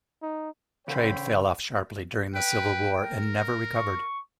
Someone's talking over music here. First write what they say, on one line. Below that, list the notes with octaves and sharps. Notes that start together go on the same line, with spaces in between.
Trade fell off sharply during the Civil War and never recovered.
D#4
C#3 A4 C5 C#5 G5 B5
B4 G5
A#4
C#6